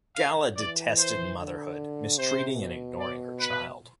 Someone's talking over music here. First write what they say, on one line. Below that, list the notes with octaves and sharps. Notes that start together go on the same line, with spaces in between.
Gala detested motherhood, mistreating and ignoring her child.
F5
E3 D5
C5
D3
C3 C5
B2
D5
B4